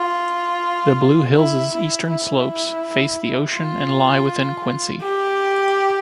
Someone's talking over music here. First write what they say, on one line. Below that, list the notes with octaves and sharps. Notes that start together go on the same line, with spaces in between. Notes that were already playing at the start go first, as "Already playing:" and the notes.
The Blue Hills' eastern slopes face the ocean and lie within Quincy.
Already playing: F4
E4
E4
E4
F4
G4